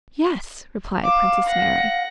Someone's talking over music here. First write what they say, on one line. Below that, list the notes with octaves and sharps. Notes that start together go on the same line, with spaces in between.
"Yes," replied Princess Mary.
F5 D6 E7
F#5 A#6